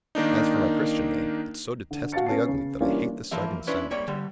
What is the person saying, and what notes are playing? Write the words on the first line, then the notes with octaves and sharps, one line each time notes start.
As for my Christian name, it's so detestably ugly that I hate the sight and sound of it.
D#3 A#3 D4 D#4
D3
F#4 F5 A5 A6 C#7
B3 C#4 A5 C7
C#3
E3 G3 A#3 C#4 D4 F4
E3 F3 A#3 E5
C#4 D4 E4 B4 C5
G3 A#3 C#5 D5
D3 G3